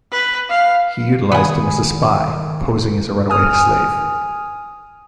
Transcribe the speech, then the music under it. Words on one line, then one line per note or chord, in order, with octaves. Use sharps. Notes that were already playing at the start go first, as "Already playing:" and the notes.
He utilized him as a spy, posing as a runaway slave.
B4
F5
D#3 B3 G#4
G#5 D#6 F6